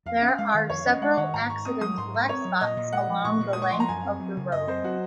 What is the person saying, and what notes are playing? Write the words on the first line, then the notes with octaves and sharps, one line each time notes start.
There are several accident blackspots along the length of the road.
F2 F5
C#4 F5
G#3 F5
D#3 F5
F2 C#5
C#4 D#5
G#3 F#5
D#3 F#5
G#2 A#5
G#2 C#6
C4 D#6
F#3 D#6
G#2 C6
G#2
C4 C#5
F#3
A#2 D#5
A#2
G#3 F#5
F3
A#2 C#6
A#2
G#3 D#6
C#6
F3 C6
A#5
F#2 G#5
C4
F#3
C#3
F#2 D#5
C4 C5
F#3 F#4